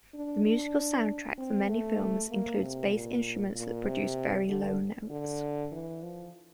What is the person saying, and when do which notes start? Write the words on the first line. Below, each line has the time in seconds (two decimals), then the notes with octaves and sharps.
The musical soundtrack for many films includes bass instruments that produce very low notes.
0.14 D4
0.45 D4
1.38 C4
1.69 A3
2.31 A#3
2.62 C3
2.93 A#2
3.55 A#2
3.86 C3
4.48 D3
5.10 D3
5.72 E3
6.03 F3